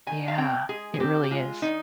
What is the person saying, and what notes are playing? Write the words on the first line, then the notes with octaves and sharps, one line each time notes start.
Yeah. It really is.
D#3 G#5
F5
C4 G5
G#3 G#4
G#4
C4 G4
G4
G#3 F4
D#3 D#4